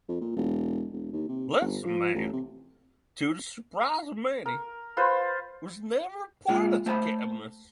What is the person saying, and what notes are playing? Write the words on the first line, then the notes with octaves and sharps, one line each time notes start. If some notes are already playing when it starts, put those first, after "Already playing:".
Lissaman, to the surprise of many, was never appointed to cabinet.
F2
A#2
E1
E1
D#2
C3
G1
F3
A1
C3
A#4
F4 B4 C5
A#2 G#3 F4
A3 C5 A5 B5